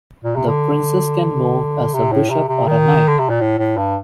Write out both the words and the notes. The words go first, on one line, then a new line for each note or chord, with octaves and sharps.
The princess can move as a bishop or a knight.
A#2
C3
D3
C3
A2
C3
C3
D#3
D3
C3
A#2
A2
A2
G2